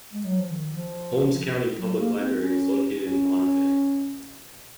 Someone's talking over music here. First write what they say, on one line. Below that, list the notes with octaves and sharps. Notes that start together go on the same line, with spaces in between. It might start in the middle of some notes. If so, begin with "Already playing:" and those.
Holmes County Public Library is located in Bonifay.
G#3
F#3
F3
D#3
F3
F#3
A#3
C4
C#4
C#4